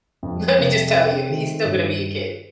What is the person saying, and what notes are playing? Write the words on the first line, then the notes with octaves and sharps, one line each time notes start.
Let me just tell you, he's still gonna be your kid.
F2
C3
C4
D#3
G2